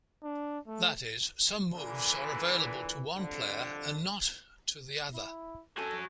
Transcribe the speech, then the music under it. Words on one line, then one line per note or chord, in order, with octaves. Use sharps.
That is, some moves are available to one player and not to the other.
D4
A3
A#2 D3 E3
C2 F2 D3
E4
F#4 A4 G#5